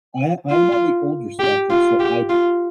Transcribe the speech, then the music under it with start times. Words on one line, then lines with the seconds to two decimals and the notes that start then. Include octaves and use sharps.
I I am on the older spectrum, so I
0.50 F4
1.39 G4
1.70 F4
2.00 G4
2.29 F4